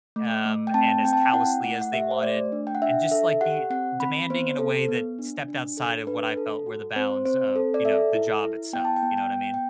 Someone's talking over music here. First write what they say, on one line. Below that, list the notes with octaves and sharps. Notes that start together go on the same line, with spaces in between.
um, and as callously as they wanted, and just, like, be demanding in a way that stepped outside of what I felt were the bounds of, you know, the job itself. You know what I mean?
A3
A3
G5
C4 A5
C4 G5
A5
G5
E4 F#5
A3 F#5
F#5
G4 E5
C5
A3 D5
D4
G5
F#5
D4 E5
A4 E5
G4 F#5
C4 F#5
C4 B5
B3 C5
A4
B3
D4
D4
A4
D4 B4
A4
F#4
C4 C5
C4 C5
A4
D5
A4 E5
E4
E4
B3 G5
A5
G5
B3
G5
B3
G5